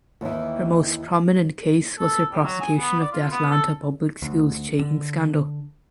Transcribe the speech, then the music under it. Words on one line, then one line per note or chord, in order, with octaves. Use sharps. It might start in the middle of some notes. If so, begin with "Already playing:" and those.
Her most prominent case was her prosecution of the Atlanta Public Schools cheating scandal.
D#2 E3
A4
G3
F#3
G#5
B3
D5
F4
B3
A4
D2
D3